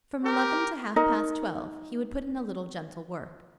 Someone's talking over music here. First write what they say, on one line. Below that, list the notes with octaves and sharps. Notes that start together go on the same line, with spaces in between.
From eleven to half past twelve he would put in a little gentle work.
G4 A#4
D#4 A#4 D#5